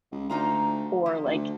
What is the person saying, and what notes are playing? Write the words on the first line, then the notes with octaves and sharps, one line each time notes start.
or like
C#2
D2 D#4 F4 A#5
F3
D2